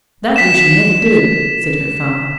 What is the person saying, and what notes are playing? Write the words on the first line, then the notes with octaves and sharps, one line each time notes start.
"That you shall never do!" said her father.
B6 E7